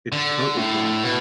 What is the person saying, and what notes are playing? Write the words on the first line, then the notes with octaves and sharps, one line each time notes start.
Its coat is black.
D3
A2
B2